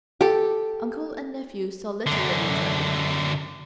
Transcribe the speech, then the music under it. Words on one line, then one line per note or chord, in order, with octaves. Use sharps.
Uncle and nephew saw little of each other.
G4 A4
F#2 D3